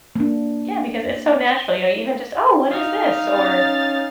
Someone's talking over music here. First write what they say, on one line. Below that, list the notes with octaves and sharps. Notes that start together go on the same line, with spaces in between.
Yeah, because it's so natural, you know? Even just, "Oh, what is this?" or,
A#3 D4
D#4 F5
C#4 A6